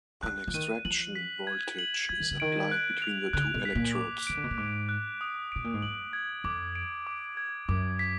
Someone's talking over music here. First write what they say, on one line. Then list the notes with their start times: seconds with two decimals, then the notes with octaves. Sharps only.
An extraction voltage is applied between the two electrodes.
0.23 D4 F#6
0.47 F3
0.54 D#3 D#7
0.85 F3 F#7
1.15 B6
1.47 G#6
1.79 F#7
2.09 F3 G#6
2.20 D#3
2.31 D3
2.40 D#3 D7
2.71 F#6
3.02 F7
3.33 D3 F#6
3.54 B2
3.65 B6
3.75 A#2
3.95 D6
4.27 D#3 D7
4.37 D3
4.43 B2
4.51 A#2
4.58 G#2 D6
4.89 F#6
5.21 D#6
5.52 B2 D7
5.64 A#2
5.74 G#2
5.82 F#2 F#7
6.13 G#6
6.44 F2 D6
6.75 D7
7.07 D6
7.37 G#6
7.69 F#2 D6
7.99 B6